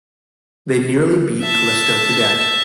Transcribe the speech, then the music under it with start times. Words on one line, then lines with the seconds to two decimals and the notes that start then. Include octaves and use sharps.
They nearly beat Callisto to death.
1.43 E5 A5